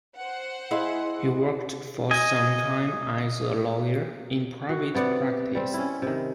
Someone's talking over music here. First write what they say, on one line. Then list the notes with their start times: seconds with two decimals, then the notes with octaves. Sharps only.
He worked for some time as a lawyer in private practice.
0.18 C5 F#5
0.71 E4 G#4 D#5 F5 C6
2.11 D#5 G#5
4.69 F#4
4.95 C3 B3 D5 F#5
5.55 G3 C4
5.74 C#4 E4
6.02 C3 D#3